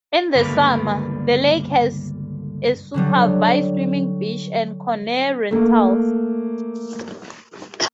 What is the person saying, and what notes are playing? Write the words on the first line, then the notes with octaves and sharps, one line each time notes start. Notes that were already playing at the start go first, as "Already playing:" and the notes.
In the summer, the lake has a supervised swimming beach and canoe rentals.
C#2 G2 D3 A#3 B4
D3 F#3 G3
A3 A#3